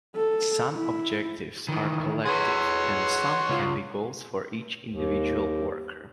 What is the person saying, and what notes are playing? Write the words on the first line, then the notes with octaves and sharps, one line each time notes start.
Some objectives are collective, and some can be goals for each individual worker.
A4
E4
D#3 E3
G#4 B4 C#5 F#5 C6
C#2 F4
D#2